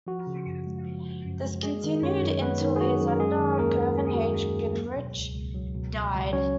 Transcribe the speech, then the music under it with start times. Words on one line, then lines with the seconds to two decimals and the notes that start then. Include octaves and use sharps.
This continued until his editor, Curvin H. Gingrich, died.
0.07 F3 F#4
0.27 C#3
0.46 F#2
0.66 G#3
0.85 F3
1.05 C#3
1.25 F#2
1.44 G#3
1.63 G#3 G#4
1.84 D#3
2.03 F#2 C#4 C#5
2.23 F#2
2.41 G#3 B3 B4
2.61 D#3
2.76 G#4
2.81 F#2 F#4
3.00 F#2
3.08 A#4
3.20 G#3 G#4
3.39 D#3
3.59 D#2 A#3 A#4
3.79 D#2
3.98 G#3 A#4
4.07 G#4
4.14 F#4
4.18 D#3 G#3 G#4
4.37 D#2
4.57 D#2
4.76 F#3
4.96 B2
5.15 C#2
5.35 C#2
5.54 F#3
5.75 B2
5.94 C#2
6.14 C#2
6.33 F#3 C#4 C#5